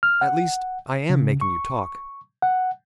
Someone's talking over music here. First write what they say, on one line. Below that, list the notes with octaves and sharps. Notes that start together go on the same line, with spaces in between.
At least, I am making you talk!
F6
F#5
C#3
C#6
F#5